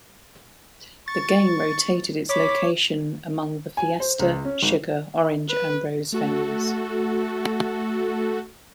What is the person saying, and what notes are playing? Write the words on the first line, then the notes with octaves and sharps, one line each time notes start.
The game rotated its location among the Fiesta, Sugar, Orange, and Rose venues.
C#6 A6
C#5 B5 D6
G#5
C5
C#2
C#4
G#1
B4
A3 F#4 A4